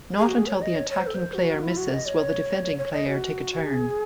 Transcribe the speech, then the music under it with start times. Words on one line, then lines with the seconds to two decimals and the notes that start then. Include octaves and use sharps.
Not until the attacking player misses will the defending player take a turn.
0.18 G#4
0.28 F#4
0.38 G#4
0.47 C#5
0.62 D#5
0.76 C#5
0.90 C#5
0.99 C5
1.07 A4
1.15 C5
1.34 F#4
1.63 E4
1.77 F#4
1.92 D#5
2.06 C#5
2.78 C#5
2.93 D#5
3.07 F#4
3.65 G#4